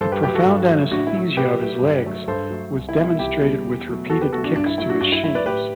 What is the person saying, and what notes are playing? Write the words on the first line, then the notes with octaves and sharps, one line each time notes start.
The profound anesthesia of his legs was demonstrated with repeated kicks to his shins.
G2 A4 C5
G4 B4
F#3 A3 G4 B4
F#4 A4
G2
F#3 A3
A2 D4 F#4
E4
F#3 A3
A2 G4 B4
F#3 A3
G2
F#3 A3
G2 A4 C5
F#3 A3
C2
E4
B2 G3
E4
C2 E4 G4
B2 G3
E2
B2 F#3 A3
E2 F#4 A4
G4 B4
B2 F#3 A3 F#4 A4
D4 F#4
G2 D4
E4
F#3 A3 E4
D4 F#4
G2 D4 F#4
E4
F#3 A3 E4
B4 D5
A2 G4 B4